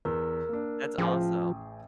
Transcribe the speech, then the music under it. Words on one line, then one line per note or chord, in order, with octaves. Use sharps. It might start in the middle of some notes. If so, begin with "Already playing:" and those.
That's awesome.
E2 A#4 E6
A#3 D4
A1 F3 G#4 G5